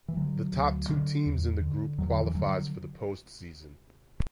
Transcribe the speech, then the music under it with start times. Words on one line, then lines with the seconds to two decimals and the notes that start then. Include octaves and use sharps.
The top two teams in the group qualifies for the postseason.
0.08 E3
0.17 D3 F#3
0.53 D2
0.89 D3
1.26 E2
1.61 D3
1.98 E2 F#3
2.10 D3
2.22 E3
2.35 D3 F#3